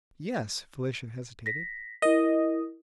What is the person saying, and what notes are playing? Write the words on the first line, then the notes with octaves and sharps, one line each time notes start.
"Yes." Felicia hesitated.
A#6 B6
E4 A#4 D#5